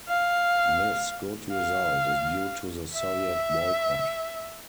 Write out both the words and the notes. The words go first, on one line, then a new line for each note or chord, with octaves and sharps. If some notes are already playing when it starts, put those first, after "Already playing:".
This good result is due to the Soviet boycott.
F5
F5
E5